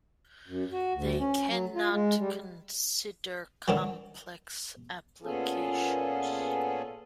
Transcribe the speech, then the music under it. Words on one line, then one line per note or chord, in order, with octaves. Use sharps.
They cannot consider complex applications.
F#2
F#4
D2
C#4
F#3
F4
G#3
G3
D3 D#3 F#3
A#2 B3 C#4 F4 G#4 A4